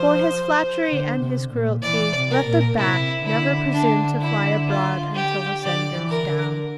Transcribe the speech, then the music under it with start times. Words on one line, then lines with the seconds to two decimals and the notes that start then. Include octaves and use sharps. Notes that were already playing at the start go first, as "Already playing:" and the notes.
"For his flattery and his cruelty let the Bat never presume to fly abroad until the sun goes down," he cried.
Already playing: F3 C5
0.88 D3
1.20 C3
1.51 A#2
1.82 E3 D5
2.15 C3
2.30 A#4
2.46 A#2
2.77 C3 E4
3.25 D3 E4
3.73 D4
4.21 E4
4.68 F4
5.15 G4
5.62 D3 D5
5.94 E3
6.10 A#4
6.26 D3